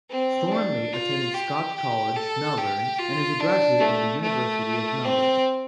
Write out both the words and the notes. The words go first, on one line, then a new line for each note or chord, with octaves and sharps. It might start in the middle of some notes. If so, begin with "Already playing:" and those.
Thornley attended Scotch College, Melbourne and is a graduate of the University of Melbourne.
C4
D4
F4
G4
G4
A4
G4
F4
D4
A3
A3
C4